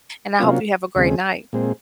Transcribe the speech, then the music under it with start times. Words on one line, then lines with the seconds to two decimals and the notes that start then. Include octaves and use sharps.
and I hope you have a great night.
0.40 C3 F#3 A#3 C#4 F4
0.95 D#2 C#3 G#3 C4
1.53 A#2 G#3 C4